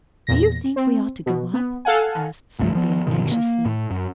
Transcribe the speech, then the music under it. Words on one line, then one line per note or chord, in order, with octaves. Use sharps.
"Do you think we ought to go up?" asked Cynthia, anxiously.
E2 A#2 A#6
C4
B2
B3
A4 F5 F#5 G#5
G#1 C#2 G2 A3
F3 B3
G1 B2 D#3
A#3
A2
F#2